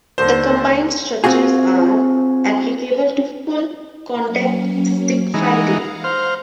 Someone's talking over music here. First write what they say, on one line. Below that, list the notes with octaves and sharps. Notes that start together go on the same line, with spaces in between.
The combined structures are applicable to full contact stick fighting.
D#2 D3 C5
C4 F4 F#4 G#4
F#3 A#3 C#4
E3 G#3 D#4 F5 F#5 A#5
C5 F6